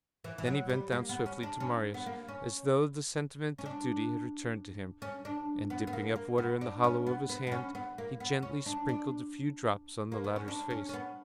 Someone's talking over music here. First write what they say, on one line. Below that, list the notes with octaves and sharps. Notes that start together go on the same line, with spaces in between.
Then he bent down swiftly to Marius, as though the sentiment of duty had returned to him, and, dipping up water in the hollow of his hand, he gently sprinkled a few drops on the latter's face.
E3
E3
F#3
G3
A#3
B3
C#4
D4
C#4
B3
A#3
C#4
C#4
D4
C#4
D4
B3
B3
A#3
A#3
B3
D4
C#4
B3
B3
B3
C#4
B3
A#3
B3
C#4
D4
D4
A#3
B3
C#4
D4
C#4
C#4
B3